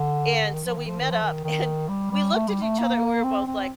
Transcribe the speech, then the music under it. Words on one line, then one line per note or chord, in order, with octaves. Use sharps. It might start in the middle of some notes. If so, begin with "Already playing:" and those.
and so, we met up and we looked at each other and we were both, like,
Already playing: D3
D#3
F3
D#3
F3
D#3
F3
D#3
D#3
G3
G3
A3
G3
A3
A#3
C4
C4